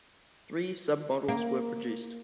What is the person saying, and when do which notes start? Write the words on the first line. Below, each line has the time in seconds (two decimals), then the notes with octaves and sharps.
Three submodels were produced.
1.28 A#3